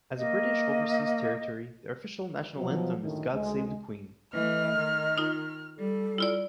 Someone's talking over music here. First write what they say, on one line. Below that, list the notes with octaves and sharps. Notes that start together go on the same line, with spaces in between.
As a British Overseas Territory, the official national anthem is "God Save the Queen".
A#3 D#5
B2 F3 F#3
F#2 A2 D3 D#3
D2 G#3
E3 A3 D#5 F6
D#3
D#4 F4
G3 A4
E4 F4 D5